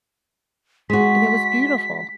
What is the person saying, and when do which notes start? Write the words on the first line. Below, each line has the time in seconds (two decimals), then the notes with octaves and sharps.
and it was beautiful,
0.90 G#3 F#4 B6